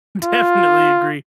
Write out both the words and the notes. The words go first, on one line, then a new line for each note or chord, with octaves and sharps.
definitely agree.
F4